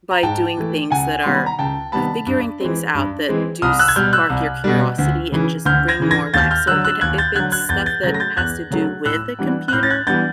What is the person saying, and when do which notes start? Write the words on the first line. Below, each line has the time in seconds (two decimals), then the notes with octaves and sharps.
by doing things that are uh, figuring things out that do spark your curiosity and just bring more life, so if it ha if it's stuff that has to do with the computer,
0.11 A#5
0.23 G#2 G5 A5
0.57 E3 A3
0.90 C#2 F#5 G#5
1.23 C3 D#3 G3 B3 C6
1.35 B5
1.46 A#5
1.59 C#2 G5 A5
1.92 C3 D#3 G3 B3 A5 B5
2.26 G2
2.60 E3 G#3 C4
2.94 G2
3.29 E3 G#3 C4
3.62 C2 D#6 F6
3.79 E6 F#6
3.88 G#6
3.96 B2 G3 F6 G6
4.13 E6 F#6
4.30 C2
4.64 B2 G3
4.98 D2
5.32 C#3 E3
5.65 D2 F6 G6
5.88 G#6 A#6
6.00 C#3 E3
6.11 G#6 A#6
6.34 D#2 G6 A6
6.51 F6 G6
6.67 D3 F#3 E6 F#6
6.85 E6 F#6
7.01 D#2 F#6 G#6
7.18 G6 A6
7.35 D3 F#3 F#6 G#6
7.52 F#6 G#6
7.69 E2 G6 A6
7.86 G6 A6
8.03 C#3 F#3 A3 G#6 A#6
8.14 A#6
8.20 G6 A6
8.37 E2 F#6 G#6
8.71 C#3 F#3 A3
9.05 A2 E6 F#6
9.39 E3 G3 B3 D4
9.68 F#6
9.73 A2 F6 G6
9.83 A6
9.90 F#6 G#6
10.07 E3 G3 B3 D4 G6 A6